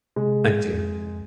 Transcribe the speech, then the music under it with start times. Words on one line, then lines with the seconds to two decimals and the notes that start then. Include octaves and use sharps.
I see.
0.16 C3 G#3
0.73 F2